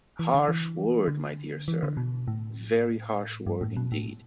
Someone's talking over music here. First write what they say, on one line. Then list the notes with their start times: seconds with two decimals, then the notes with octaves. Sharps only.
Harsh word, my dear sir, very harsh word indeed.
0.19 E3
0.34 D3
0.48 E3
1.08 D3
1.68 E3
1.83 D3
1.97 B2
2.28 A2
3.47 G2
3.61 A2
3.77 B2
3.92 A2